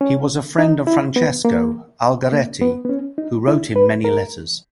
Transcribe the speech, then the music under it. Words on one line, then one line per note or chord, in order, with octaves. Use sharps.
He was a friend of Francesco Algarotti, who wrote him many letters.
C#4
D#4
E4
B3
A#3
A#3
B3
B3
C#4
D#4
E4
B4
A#4